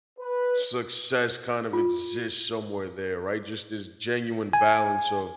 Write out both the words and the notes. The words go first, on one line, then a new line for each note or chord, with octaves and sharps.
Success kind of exists somewhere there, right, just this genuine balance of
B4
F4
G#5